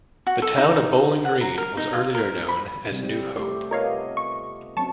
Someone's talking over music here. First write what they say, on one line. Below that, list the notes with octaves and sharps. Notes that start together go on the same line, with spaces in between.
The town of Bowling Green was earlier known as New Hope.
F#4
A4
D#4
F#5
A#5
A#4
D#4
F4
A#4
B5
C3 G3 C4
A3 G4
B3 F4 A#4 C#5 D#5 F5
C#6
F#3 C4 C#4 A5 C#6